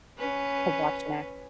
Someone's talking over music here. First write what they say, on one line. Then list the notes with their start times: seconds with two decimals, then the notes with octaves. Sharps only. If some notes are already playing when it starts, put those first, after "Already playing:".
to watch next.
0.19 C#4 B4